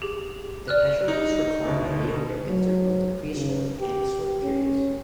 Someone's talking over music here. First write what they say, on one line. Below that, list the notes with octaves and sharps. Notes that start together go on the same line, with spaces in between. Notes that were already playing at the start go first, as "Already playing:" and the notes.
The petroglyphs were carved by Native Americans during both the prehistoric and historic periods.
G4 G#4
D5 F6 F#6
D#4
D2 B2
F#3
C#3
G4
C#4